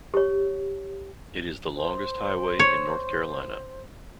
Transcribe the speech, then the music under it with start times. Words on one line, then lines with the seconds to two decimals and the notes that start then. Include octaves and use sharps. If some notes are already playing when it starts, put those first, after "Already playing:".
It is the longest highway in North Carolina.
0.14 G4 C#5
1.75 C5
2.59 C#5